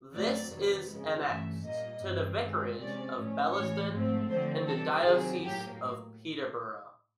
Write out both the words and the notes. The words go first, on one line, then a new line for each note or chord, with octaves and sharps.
This is annexed to the vicarage of Billesdon, in the diocese of Peterborough.
F2 D3 F#3 A3 C4 D5
C3 D#3 F#3 B3
F2 C#3 F3 G#3
G2 E3 A3 E5
A#2 G3 A#3 D#5
G2 E3 G3 C4
G2 D#3 G#3 C4
C3 F3 G#3 C#4 D5
A2 F3 A3 C#4
A2 E3 G#3 C#5
G#2 F3 A3 C4
D3 F3 A3 C4 C5
C3 E3 G3 A4
C3 D#3 F#3 G#4
A2 F#3 A#3 G4